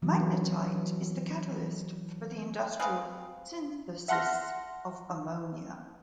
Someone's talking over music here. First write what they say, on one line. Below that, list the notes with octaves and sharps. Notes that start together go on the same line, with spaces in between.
Magnetite is the catalyst for the industrial synthesis of ammonia.
E3 F#3
C4 G#4 B4 F5
E5 F#5 A5 C6 F6 A#6